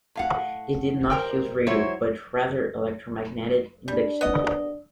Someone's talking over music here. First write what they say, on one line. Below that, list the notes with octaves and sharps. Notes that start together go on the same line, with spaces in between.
It did not use radio, but rather electromagnetic induction.
A2 F5 F#5
A#4 C5 G5
F#3 E4 C5 C#5
G3 D4
B3 D#5